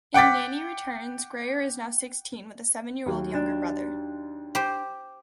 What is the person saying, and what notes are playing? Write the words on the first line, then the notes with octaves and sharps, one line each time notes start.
In "Nanny Returns", Grayer is now sixteen with a seven-year-old younger brother.
F#5 G5 D6 A6 B6
D#2 F#3
D4
G4 C5